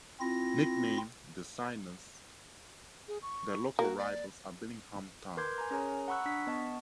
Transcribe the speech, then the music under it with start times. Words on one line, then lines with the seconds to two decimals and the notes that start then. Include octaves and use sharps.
Nicknamed "the Synners", their local rivals are Billingham Town.
0.20 C4 E4 F4 A#6
3.08 G#4
3.22 C#6
3.79 A#3 F#4
3.97 D5
5.37 A#4 B4 C6 D6 G6 G#6
5.58 G#5 A#5
5.71 C#4 G#4 A#4 C#5 G#5 A#5
6.08 F#5 A#5 B5 C#6 E6 F#6
6.26 D4 B6
6.47 B3 D#5 A5 C#6